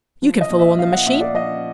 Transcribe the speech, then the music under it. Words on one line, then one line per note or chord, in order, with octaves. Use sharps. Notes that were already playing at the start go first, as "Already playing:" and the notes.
You can follow on the machine?'
F3
D#5
A#2
E5
F3 F5
F#5
A#2 E5
D5
F3 D#5